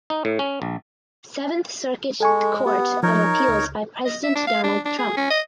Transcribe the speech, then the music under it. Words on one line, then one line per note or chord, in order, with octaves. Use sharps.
Seventh Circuit Court of Appeals by President Donald Trump.
D#4
A2
C#4
A#1
G#3 A4 G#5 C#6
B3 G4
F3 D#4 A#4 C#5
C#2
D#5
E5
D4
F5
D4
D4
G#4
C#4
D#5